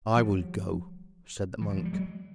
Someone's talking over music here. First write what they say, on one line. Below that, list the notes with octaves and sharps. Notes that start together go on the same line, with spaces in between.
"I will go," said the monk.
F3 G3
E3
F3
F#3
G3
F#3 G#3